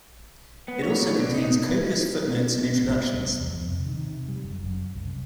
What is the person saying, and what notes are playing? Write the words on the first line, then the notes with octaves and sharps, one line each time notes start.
It also contains copious footnotes and introductions.
B3
C#5
A2
D4
D#4
A1
B3
C2
E2
F2
C3
D#3
C3
G3
F#1
F#2
C2